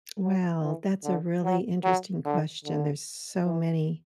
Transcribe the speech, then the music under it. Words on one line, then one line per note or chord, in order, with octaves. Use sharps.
Well, that's a really interesting question, there's so many.
F#3
E3
D3
F#3
F#3
D3
D3
E3